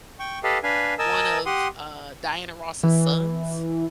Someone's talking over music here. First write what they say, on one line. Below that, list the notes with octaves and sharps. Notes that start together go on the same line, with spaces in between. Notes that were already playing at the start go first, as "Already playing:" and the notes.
one of, uh, Diana Ross's sons.
G5 C#6
G4 A4 B4 D#5 F5
D4 B4 F5 G#5
A#4 D#5 G#5 A5 E6
G4 F#5 C6 D#6
E3